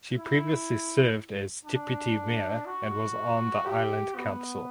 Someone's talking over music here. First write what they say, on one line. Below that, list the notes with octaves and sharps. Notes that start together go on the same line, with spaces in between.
She previously served as Deputy Mayor and was on the Island Council.
E4
D4
F#4
G4
B3